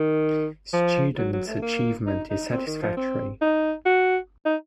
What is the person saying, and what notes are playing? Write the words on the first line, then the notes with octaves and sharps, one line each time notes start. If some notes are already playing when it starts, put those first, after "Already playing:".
Students' achievement is satisfactory.
Already playing: D#3
F3
F#3
F#3
A3
A#3
D#4
D#4
C4
D#3
F3
C4
D#4
F#4
D#4